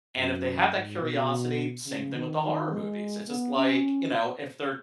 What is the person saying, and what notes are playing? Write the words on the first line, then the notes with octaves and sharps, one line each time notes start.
And if they have that curiosity, same thing with the horror movies. It's just like, you know, if they're
F#2
G#2
B2
C#3
D#3
D#3
G#3
B3
C#4